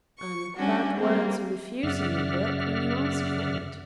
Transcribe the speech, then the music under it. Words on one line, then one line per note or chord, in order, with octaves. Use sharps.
'And bad words are refusing you work when you ask for it.'
C#6
G3 C#4 D4 F#4
G3 A#3 C4
F#2 C#3 D5 E5 F#5 F6